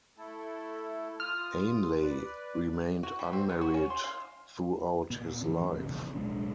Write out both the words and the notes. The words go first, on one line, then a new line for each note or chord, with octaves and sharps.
Ainley remained unmarried throughout his life.
A3 E4 A4
F4 D#6 F6
B4 D5
F#4
G3
C4
B3
F#4
C#4
C6
F5
A#2 B3
G#2 E3 F3 C4
E1 A#1 E2 C#3
D1 B1 G#3 D4